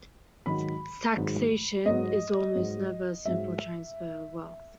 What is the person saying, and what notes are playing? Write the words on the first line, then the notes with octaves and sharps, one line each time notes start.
Taxation is almost never a simple transfer of wealth.
G#2 D#3 F#3 B5
G#2 D#3 F#3
G#2 F#3 D#5
G#2 F#3
G#2 F#3 E5